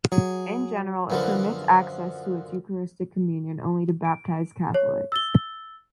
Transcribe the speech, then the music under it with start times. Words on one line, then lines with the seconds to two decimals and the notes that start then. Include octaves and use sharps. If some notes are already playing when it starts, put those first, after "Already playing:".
In general it permits access to its Eucharistic communion only to baptized Catholics.
0.12 F#3 G#4
1.10 F#2 D3 F3 B4 F5
4.05 D7
4.74 C#5
5.12 E6 A6 G7